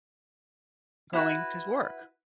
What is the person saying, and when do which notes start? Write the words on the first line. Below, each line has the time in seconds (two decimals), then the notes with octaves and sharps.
going to s work.
1.13 E4 F#4 B4